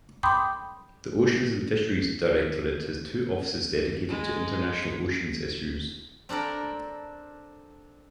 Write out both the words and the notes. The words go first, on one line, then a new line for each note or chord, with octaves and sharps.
The Oceans and Fisheries Directorate has two offices dedicated to international oceans issues.
G5 B5 C6 D6 D#6 G6
G#3
C4 D4 A4 A#4